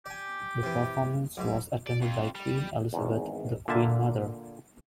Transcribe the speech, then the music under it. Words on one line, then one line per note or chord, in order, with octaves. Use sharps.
The performance was attended by Queen Elizabeth, the Queen Mother.
G4 D5 G#5
C3 E3
B1 G#2 D6
D5
F2
G3
G#1 E2
A#2 D3 A#3 E5 A5